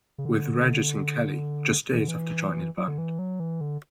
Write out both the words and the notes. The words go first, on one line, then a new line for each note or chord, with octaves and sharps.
With Regis and Kelly, just days after joining the band.
C#3
D3
E3
D3
E3
F#3
D3
E3
F#3
E3
D3